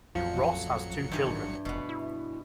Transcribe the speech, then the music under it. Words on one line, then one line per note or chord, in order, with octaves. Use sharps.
Ross has two children.
A1 F2 F3 F#3 C#7
G2 D#3 E3
F1 B2 B3
E4